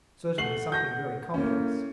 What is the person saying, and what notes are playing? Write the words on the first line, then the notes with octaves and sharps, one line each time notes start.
Certainly something very complex.
A3 F#5 C7 F#7
G6 A#6
A2 A#3 C#4